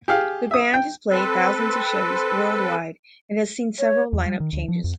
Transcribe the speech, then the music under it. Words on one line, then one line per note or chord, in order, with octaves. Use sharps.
The band has played thousands of shows worldwide and has seen several lineup changes.
G4 G#4 F5
E5 D#6
G5
C4 A4 B4
C#5
E2
G3
D#3
D2
F3
F2